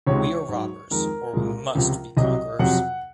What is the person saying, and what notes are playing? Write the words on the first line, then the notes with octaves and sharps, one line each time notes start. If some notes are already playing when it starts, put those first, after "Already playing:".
We are robbers, or we "must" be conquerors!
C#2 C3 D#3 G#3 C#5
G#2 F#3
F2 D#3 G#3 A#4
C2 A#2 G#3
C#2 C3 F3
C2 C3 F#3 D#5
F2 C3 F#3 F#5